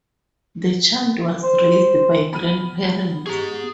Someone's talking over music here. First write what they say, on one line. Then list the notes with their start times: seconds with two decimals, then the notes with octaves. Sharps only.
The child was raised by grandparents.
1.43 C5
2.33 B3 B5 F6 D#7
3.27 G4 G#4 A#5